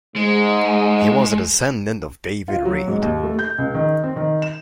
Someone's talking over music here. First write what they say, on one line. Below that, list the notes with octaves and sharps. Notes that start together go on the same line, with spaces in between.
He was a descendant of David Reed.
G#2 G#3
F4
F#3
G#2
D#2
A3
G6
C#2
D#3
C4
D#3
E7